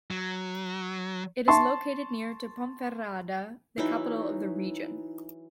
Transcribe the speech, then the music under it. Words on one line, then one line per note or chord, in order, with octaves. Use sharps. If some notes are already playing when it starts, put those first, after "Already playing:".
It is located near to Ponferrada, the capital of the "region".
F#3
A5 C6 C#6
E3 F#3 D#4 E4